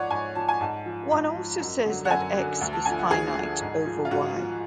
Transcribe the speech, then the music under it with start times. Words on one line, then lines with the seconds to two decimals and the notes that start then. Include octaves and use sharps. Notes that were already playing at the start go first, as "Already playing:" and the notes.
One also says that "X" is finite over "Y".
Already playing: G#2 F3 C#5 D5 F#5
0.10 G#2 G#5
0.35 F3 A5
0.48 G#5
0.61 G#2 A5
0.86 F3
1.11 G#2
1.35 F3
1.60 F#2
1.85 D3 F#3
2.05 F#5
2.11 F#2 G#5
2.36 D3 F#3
2.61 D2
2.73 A5
2.85 D3 F3 G#5
2.99 F#5
3.11 D2 G#4
3.35 D3 F3
3.61 G#2
3.86 F3
4.05 F4
4.11 G#2 F#4
4.36 F3